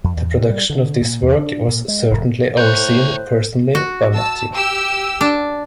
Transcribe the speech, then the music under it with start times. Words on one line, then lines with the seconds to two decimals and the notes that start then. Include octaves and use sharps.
The production of this work was certainly overseen personally by Matthew.
0.04 F2
0.17 E2
0.37 C3
0.50 G3
0.70 D3
1.01 A#2
1.22 E2
1.39 D4
1.68 A#2
1.88 G#3
2.11 F1
2.58 A2 D#4 C5 C#5 F#6 G6
3.75 F#4
4.13 A5 E6
4.54 G4 E6
5.21 D4